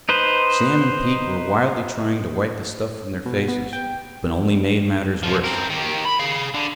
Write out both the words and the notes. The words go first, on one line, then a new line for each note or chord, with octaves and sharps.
Sam and Pete were wildly trying to wipe the stuff from their faces, but only made matters worse.
D#4 B4 C5
B2
B3
G5
B2 F3
C4 A#4
D#3 G4
B5
G#4 F5
D3